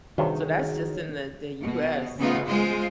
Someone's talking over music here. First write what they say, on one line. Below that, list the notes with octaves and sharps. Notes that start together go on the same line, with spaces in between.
so that's just in the the US, so
G2 C3 D#3 F#4 G#4 C#5
B2
C#3 E3 A3 B3 D#4 F4
G#3 F4 C5